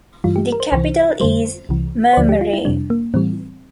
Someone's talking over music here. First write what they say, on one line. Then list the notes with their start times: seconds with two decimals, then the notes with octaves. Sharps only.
The capital is Maumere.
0.24 G2 E3 G3 F4
0.36 G4
0.52 A#4
0.60 C5
0.72 C2 C3 E3 C5
1.20 F2 D3 G3 C5
1.69 C2 C3 E3
2.13 C5
2.17 D2 D3 F3 D5
2.29 G4
2.41 F4
2.53 E4
2.65 F2 C3 G3 D4
2.90 A#3
3.14 A2 E3 G3 C4